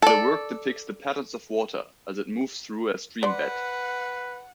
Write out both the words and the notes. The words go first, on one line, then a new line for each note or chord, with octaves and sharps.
The work depicts the patterns of water as it moves through a stream bed.
A4 D5
B4 C5 D5 F#5